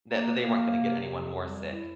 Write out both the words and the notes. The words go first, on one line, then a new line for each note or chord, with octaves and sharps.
th that they weren't gonna get anyone more sick.
A#3
A#3
C3
F2
G3
E4